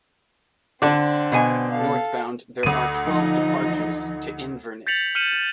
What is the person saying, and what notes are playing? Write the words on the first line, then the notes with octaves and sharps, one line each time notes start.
Northbound there are twelve departures to Inverness.
D3 C4 D4
B2 B3 G#5
A4 F5
D2 D#7
F3 D#4
G6 A6 B6 C#7 F7 F#7
F6 G6 C#7 D#7 E7 F#7